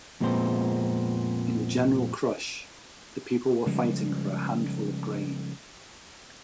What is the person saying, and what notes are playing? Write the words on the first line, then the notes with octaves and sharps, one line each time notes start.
In the general crush the people were fighting for a handful of grain.
F2 A#2 G#3 B3 C4 C5
C#3 F3 G3 G#3